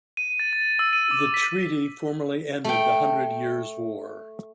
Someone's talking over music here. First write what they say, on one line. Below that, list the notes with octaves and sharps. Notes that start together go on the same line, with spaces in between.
The treaty formally ended the Hundred Years' War.
D#7
A6
A6
E6
D#7
D6
B6
A3 G5